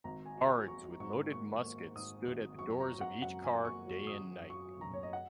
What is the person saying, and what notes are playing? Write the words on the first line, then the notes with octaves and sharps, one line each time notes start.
Guards with loaded muskets stood at the doors of each car day and night.
G#1 A#5
G#5
F#3
A#5
G#5
F#3 C#6
G#2 C#6
A#3 C#6
A#3
G#2 D#6
G#1
F#2 C#6
A#5
F#3
F#5
F#2 F#5
G#5
A#3
C#6
F#3
D#6
F#2
F#3 C#6
F#2 A#5
C#5
D#5
F#5